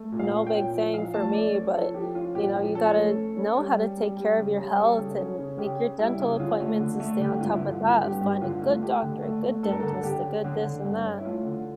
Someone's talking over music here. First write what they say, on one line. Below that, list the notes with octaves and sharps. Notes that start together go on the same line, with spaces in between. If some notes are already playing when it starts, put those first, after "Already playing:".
no big thing for me, but, you know, you gotta know how to take care of your health and make your dental appointments and stay on top of that. Find a good doctor, a good dentist, a good this and that,
Already playing: A3
A#2
F5
C#4
G5
A#2
F3
F3 F5
A3 A5
C#4 D5
C#4 C#5
F3 A4
F3 G4
C#4 F4
A#2 G4
F3
C#4 A4
A3
C#4
C#4
G3
G3
G3
G3
C#3
G3
G3 A4
C#3
C#4
C#3
C#3 G4
C#4
G3 E4
C#3
D3 F4
A3
D3
A3
D3 G4
G2 F4
E4
D3 F4
G2 F4
G2 G4
G2 G4
D3 F4
A3 F4
A3 G4
D3
A3
A3
G2 A4
A#4
D3 A4
D3 G4
C#4
D3
D3
G2
C#4
E4
A3 F4
D3